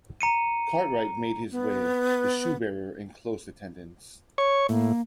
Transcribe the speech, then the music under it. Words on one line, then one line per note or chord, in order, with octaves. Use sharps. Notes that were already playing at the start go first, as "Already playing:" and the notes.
Cartwright made his way, the shoe-bearer in close attendance.
A#5 C#7 D#7
B3
C#5 C#6
A2 A#3